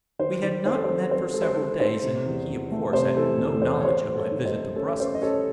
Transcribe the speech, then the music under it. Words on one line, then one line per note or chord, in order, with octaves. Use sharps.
We had not met for several days, and he, of course, had no knowledge of my visit to Brussels.
D#3 C5
D#3
D#3 C5
A4
C5
C4
C4 C5
G#3 A4
C5
A4
D#4
D#4 C5
C3
E2
E2
A3
C3 C5
E3 A4
E2 A4
E2 C5
C#5
E2 C5
A3
A4 C#5
D#3
C5 D#5
A3
C#4 A4 C#5
C#4 C5
D#5
C#4 A4 C#5